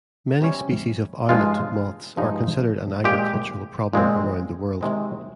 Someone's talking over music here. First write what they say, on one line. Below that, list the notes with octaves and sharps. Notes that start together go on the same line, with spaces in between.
Many species of owlet moths are considered an agricultural problem around the world.
C3 G3 C#4
G2 F3 G#3 D#4 F4
G2 F3 G#3 D#4
A#2 G#3 C4 G4
A#2 G#3 C4
C3 D#3 G#3 C4